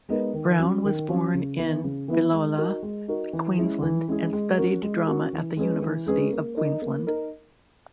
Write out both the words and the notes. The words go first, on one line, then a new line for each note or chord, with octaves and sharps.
Brown was born in Biloela, Queensland and studied drama at the University of Queensland.
G#3 B3 D#4 A#4
D#3
F#3 C#4
D#3
F#3 C#4
C#3
E3 B3 E4
C#3
E3 B3 E4
G#3
D#4 F#4 A#4
G#3
D#4 F#4 A#4
E3
G#3 C#4 E4 G#4
E3
G#3 C#4 E4 G#4
G#3
C#4 F#4 A#4
G#3
C#4 F#4 A#4
E3
G#3 C#4 G#4 B4
E3
G#3 C#4 G#4 B4
A#3
D#4 A#4
A#3
D#4 A#4